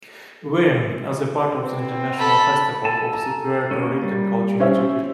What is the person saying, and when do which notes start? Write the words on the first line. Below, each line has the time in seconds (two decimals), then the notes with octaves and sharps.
Warren, as part of the International Festival of the Puerto Rican Culture Institute.
1.60 B3 C4
2.17 A4 B5
2.85 A4 G#5 A5
3.13 A#5
3.71 A#3 C#4
4.03 G3
4.60 C#4 C5 E5